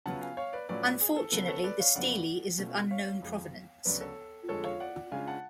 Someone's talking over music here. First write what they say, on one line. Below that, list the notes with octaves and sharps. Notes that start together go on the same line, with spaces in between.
Unfortunately, the stele is of unknown provenance.
C#3 F#3 B3 F4 F#5 A5
F5 G#5
C#5 F5
B4 D5
A2 F#3 C#4 F4 B4 D5
G#4
A4
C#3 F#3 B3 A4
A4 C#5
B4 D5
C#5 F5
F2 C#3 F#3 B3 F4 D5 F#5
B2 A3 C#4 F4
C#5 F5
F2 F3 G#3
D2 C#3 F#3 B3 B4 D5
A4 C#5
F2 D3 G#3 A4 C#5
C#5 F5
D5 F#5
C#3 G#3 D4 F4 F5 G#5
F#5 A5